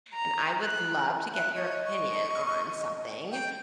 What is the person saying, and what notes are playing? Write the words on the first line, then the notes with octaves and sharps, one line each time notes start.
and I would love to get your opinion on something.
A#5
F#6
E5 F#6
C#5 D#5
C#6
G5